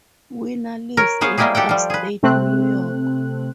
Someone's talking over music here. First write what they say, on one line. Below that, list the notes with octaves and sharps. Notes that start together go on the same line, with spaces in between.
Winner lives in upstate New York.
A#4 C#5
B3 G#4 C5 C#5 F5
G3 G#3 A#3 E4 G4 G#4
G4 A4 F#5 G5
F3 G3
G#4 B4
C3 A3 C4 F#6